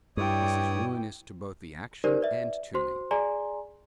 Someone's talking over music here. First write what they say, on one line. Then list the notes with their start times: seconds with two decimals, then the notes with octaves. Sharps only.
This is ruinous to both the action and tuning.
0.17 G2 E4 C#5 D5 G5 D#6
2.04 D#4 G4 A#4 C5 D5
2.21 B4 D5 E5
2.74 F#4 C5 C6
3.11 G#4 D5 G#5 A#5 C6